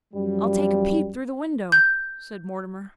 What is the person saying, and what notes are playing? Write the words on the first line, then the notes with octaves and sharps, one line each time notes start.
'I'll take a peep through the window,' said Mortimer.
F#2 F3 G3
G6